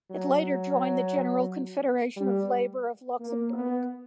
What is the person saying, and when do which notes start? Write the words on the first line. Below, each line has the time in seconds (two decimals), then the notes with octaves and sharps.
It later joined the General Confederation of Labour of Luxembourg.
0.11 F#3
2.16 G3
3.20 A#3
3.53 B3